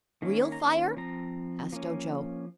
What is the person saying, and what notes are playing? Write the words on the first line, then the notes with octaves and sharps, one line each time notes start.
"Real fire?" asked Ojo.
D#3 A#3 C#4
A#5
C6
F3 C4 A#5
F3 A#3 C#4